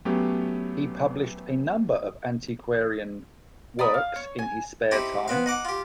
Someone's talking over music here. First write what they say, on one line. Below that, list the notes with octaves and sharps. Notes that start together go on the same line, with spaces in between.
He published a number of antiquarian works in his spare time.
F#3 A3 B3 C#4 G4
D5 A#5 B5 D#6
F5
C#5
G#5
C4 D#4 E4 G4
B3 C4 F5
D#4 F#5 D6
F4 G4